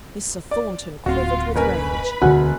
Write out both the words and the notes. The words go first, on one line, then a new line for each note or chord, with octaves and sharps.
Mr. Thornton quivered with rage.
D5
D1 C4 F4 F#4 F5
F#1 A#4 B4 G#5 B5
E1 D2 D3 F#4 F#5 G#5